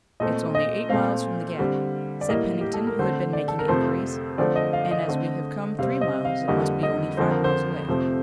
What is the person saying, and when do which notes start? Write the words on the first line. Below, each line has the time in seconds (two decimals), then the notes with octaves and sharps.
"It's only eight miles from the gap," said Pennington, who had been making inquiries, "and as we have come three miles it must be only five miles away."
0.20 A#2 A3 C4 D#5
0.55 D#5
0.89 A#2 A3 C4 F5
1.59 D3 G3 C4
2.21 D5
2.29 A2 G3 A#3 D#5
2.61 G4
2.74 A4
2.87 A#4
2.99 D3 A3 C4 C5
3.33 D5
3.48 A4
3.59 A#4
3.68 F2 C3 F3 A3 C5
4.38 D3 F3 A3 C4 D5
4.56 D#5
4.73 F5
4.91 D#5
5.08 D3 A3 C4
5.79 C3 G3 C4 F5
6.01 D#5
6.25 F5
6.48 F2 D3 G3 A#3 D#5
6.83 D#5
7.17 F2 D3 F3 C5
7.31 A#4
7.44 C5
7.88 F2 C3 F3 A3